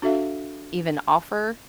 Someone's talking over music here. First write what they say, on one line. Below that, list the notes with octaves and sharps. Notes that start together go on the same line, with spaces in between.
even offer
D4 F#4 A4 E5 F5